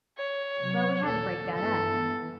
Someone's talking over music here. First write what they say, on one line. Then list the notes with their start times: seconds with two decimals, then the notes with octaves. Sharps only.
Well, we had to break that up.
0.18 C#5
0.59 C3 F#3
1.05 D#2 A#2 A4
1.55 G2 E3 B3 A4